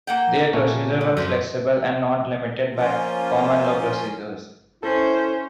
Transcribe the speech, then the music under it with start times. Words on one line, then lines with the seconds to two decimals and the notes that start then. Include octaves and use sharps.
Their procedures were flexible and not limited by common law procedures.
0.07 A#3 F#5 G5
0.53 A#2 A3 C#4
1.01 G3
1.17 F#2 F3 A3
2.76 F3 A#3 C#4 F4
4.83 C#4 E4 A4 C5